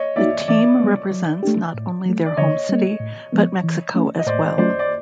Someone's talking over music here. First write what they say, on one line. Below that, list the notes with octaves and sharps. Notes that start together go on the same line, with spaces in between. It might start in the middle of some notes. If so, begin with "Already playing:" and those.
The team represents not only their home city, but Mexico as well.
Already playing: C#5 D#5
A#3 D#4 F#4 D5 E5
E3 D5 E5
G3 B3
F#3
A3 D4 G4
A2
F#3 A3
D5
D3 C#5 D#5
G3 A#3
A2
F3 G#3 B3
E3
A3 C#4
D#5
A2 C5 D5
F#3 A3 C#4 F4 C5 D5
D5